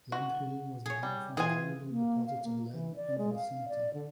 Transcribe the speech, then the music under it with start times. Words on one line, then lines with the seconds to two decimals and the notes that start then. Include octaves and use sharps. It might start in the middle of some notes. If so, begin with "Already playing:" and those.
Lead Hill was named from valuable deposits of lead in the vicinity.
0.12 F#4
0.86 G#4 C#5
1.03 G3
1.37 E3 F4 G#4 G#5
1.90 A#3
2.26 F5
2.43 A#3
2.73 E3
2.96 D5
3.18 G#3
3.35 F5
3.68 D5
3.94 D3